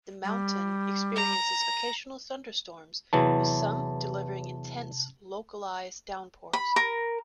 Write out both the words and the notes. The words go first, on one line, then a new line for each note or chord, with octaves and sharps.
The mountain experiences occasional thunderstorms with some delivering intense, localized downpours.
G3
A#5
E2 C3 E3 F#3 A5
B5
A#4